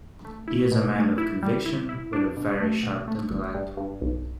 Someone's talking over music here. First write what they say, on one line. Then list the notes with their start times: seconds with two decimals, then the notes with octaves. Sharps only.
He is a man of conviction with a very sharp intellect.
0.25 A3
0.48 E4
0.72 B2
0.95 A3
1.18 E4
1.43 G3
1.66 E4
1.89 E4
2.13 D4
2.37 B2
2.60 A3
2.83 B2
3.08 A3
3.31 G1
3.54 G2
3.77 G2
4.01 B1